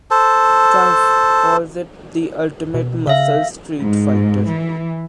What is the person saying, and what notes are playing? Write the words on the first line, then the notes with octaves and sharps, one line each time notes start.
Triumph calls it "the ultimate muscle streetfighter".
A4 C5 A5
B2
C#3 E5 F5
G#2
E3